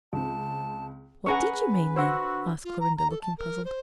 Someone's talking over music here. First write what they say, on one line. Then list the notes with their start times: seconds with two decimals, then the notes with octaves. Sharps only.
"What did you mean, then?" asked Clorinda, looking puzzled.
0.13 C#2 C4 A5
1.26 C#4 G#4 B4 F#5 G#5 A#5 C#6
1.96 D3 F#4 C5 F#5 E6 A#6
2.64 F4
2.80 A#5
2.97 A#5
3.09 A4
3.21 A5
3.37 A#4
3.64 C5